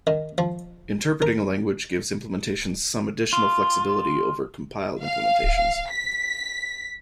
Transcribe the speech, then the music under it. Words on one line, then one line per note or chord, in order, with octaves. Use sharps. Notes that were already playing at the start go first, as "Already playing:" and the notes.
Interpreting a language gives implementations some additional flexibility over compiled implementations.
D#3
F3
A#4
F4
F5
B6